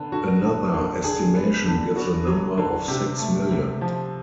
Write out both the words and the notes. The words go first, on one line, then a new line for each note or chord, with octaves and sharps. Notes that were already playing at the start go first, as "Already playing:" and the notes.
Another estimation gives a number of six million.
Already playing: D3 B3
D3 F#4
D3
D3
D3 G#4
B3
D3
B3 F#4
F#3
D3
C3 G4
A3
C3
F3